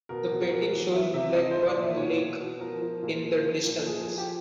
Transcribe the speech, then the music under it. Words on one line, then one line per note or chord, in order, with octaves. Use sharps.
The painting shows Blackburn Lake in the distance.
B2 A#4
B2
A#4
B2
E3
E3 E5
C3 E5
F3 D#5
C5
F3
D5
A#2
E5
B2 C#5
B2
B2
F3 A#4
F3
A#2
F3
F3
A#2
A4
F3 G#4
G#4
F3
G4